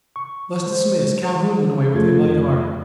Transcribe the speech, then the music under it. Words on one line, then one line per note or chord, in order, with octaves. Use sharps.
Thus dismissed Calhoun went away with a light heart.
C#6
G#3 C5
F2 F3 A3 F4 G#6